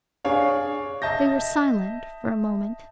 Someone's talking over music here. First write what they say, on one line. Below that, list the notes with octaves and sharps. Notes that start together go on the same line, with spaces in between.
They were silent for a moment.
D4 G#4 C#5 F5
D#5 E5 A5 G6 A#6